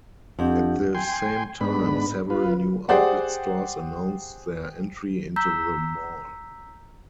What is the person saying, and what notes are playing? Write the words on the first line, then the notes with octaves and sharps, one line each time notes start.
At the same time, several new outlet stores announced their entry into the mall.
F2 D4 G4 F#5
G5 G#5 C6
G#2 B3 D4 B5
F4 B4
G4 G#4 C5 D5 F#5
A#5 E6 G6 B6